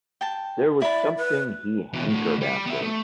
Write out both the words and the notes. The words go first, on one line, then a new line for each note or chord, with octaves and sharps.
There was something he hankered after.
G5 A5
E4 D5 B5
B4
B2 E3
A2 D3
G3
B3 E5
A3